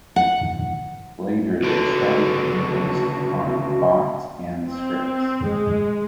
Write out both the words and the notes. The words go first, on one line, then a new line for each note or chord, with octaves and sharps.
Later they started to be based on bots and scripts.
F#5
C#2 D3 F#4
C4
G#3